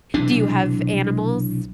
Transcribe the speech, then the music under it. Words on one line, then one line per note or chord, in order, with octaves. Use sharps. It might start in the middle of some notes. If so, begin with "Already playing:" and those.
Do you have animals?
B1 C3 E3 D4